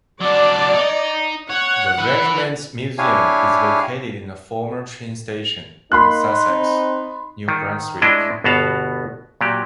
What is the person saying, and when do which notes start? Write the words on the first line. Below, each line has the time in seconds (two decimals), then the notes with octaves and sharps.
The regiment's museum is located in a former train station in Sussex, New Brunswick.
0.21 F#3 D4 D5
0.74 D#4
1.50 C#5 F#5
1.99 E4 B4
2.98 D4 E4 G4 C#5 F5 G#5
5.92 A#3 D#4 B5 C6 F#6
6.49 C4
7.48 D#3
8.02 A2 G#3 D4 E4 D#5
8.44 G1 B2 B3 F#4 F5 A5
9.41 A#2 F#3 G4